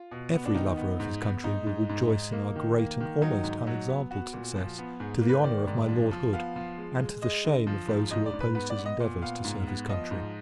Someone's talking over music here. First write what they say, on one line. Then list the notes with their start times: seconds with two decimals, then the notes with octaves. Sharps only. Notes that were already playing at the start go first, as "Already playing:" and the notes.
Every lover of his country will rejoice in our great and almost unexampled success, to the honour of my Lord Hood, and to the shame of those who opposed his endeavours to serve his country.
Already playing: F4
0.11 B2
0.34 B3
0.46 D4
0.55 D#3 D#4
0.77 B3
1.00 G#2
1.23 B3
1.44 G#2 D#4
1.66 G#2
1.89 G#2
2.11 G#2
2.33 A#3
2.56 D#3
2.78 A#3
3.00 D#3
3.22 F#3 D#4
3.44 G#2
3.67 F#3
3.89 B3
4.11 B3 F#4
4.33 A#2
4.56 F3
4.78 B3
5.00 G#2 G#4
5.22 A#3
5.29 B4
5.44 D#3 D5
5.67 G#2
5.88 F3
6.11 F3
6.33 B3 F5
6.56 F3
6.78 G#3
7.00 G#3
7.22 G#3 D#5
7.45 D3
7.67 F3
7.88 G#2
8.11 G#2 D#5
8.26 D5
8.34 G#2
8.40 B4
8.55 B3 B4
8.70 D5
8.78 B3
8.86 D#5
9.00 A#2
9.22 B3 F5
9.44 G#2
9.67 B3
9.89 F3 D#5
10.11 G#2